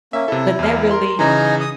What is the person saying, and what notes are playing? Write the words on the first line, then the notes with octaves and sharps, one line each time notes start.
but that really
A#3 C#4 E5
C3 E4 A4
E2 F6
A#4 C6
C#3 E3 D#4 G#5 A#5
D#6